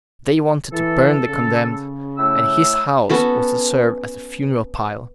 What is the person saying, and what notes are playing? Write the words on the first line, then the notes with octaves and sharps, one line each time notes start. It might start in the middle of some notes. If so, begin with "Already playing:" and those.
They wanted to burn the condemned, and his house was to serve as a funeral pile.
E3 A4
C#3
A2 A3 E6
B3 C#4 F#4 A4